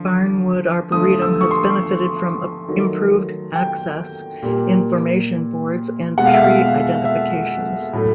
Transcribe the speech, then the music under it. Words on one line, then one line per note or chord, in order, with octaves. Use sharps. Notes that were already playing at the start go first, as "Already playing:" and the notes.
Barnwood arboretum has benefited from improved access, information boards and tree identifications.
Already playing: D3 F3
D3 F3 A3 D#6
E6
C#6
C6
D#3 F#3 A3
G5
A#2 G3 A#3
B2 G#3 F#5
F5
E5
F5
E5
A2 F#3 A3